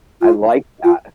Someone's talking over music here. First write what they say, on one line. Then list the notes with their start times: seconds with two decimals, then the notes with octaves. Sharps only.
I like that.
0.21 F4
0.84 F4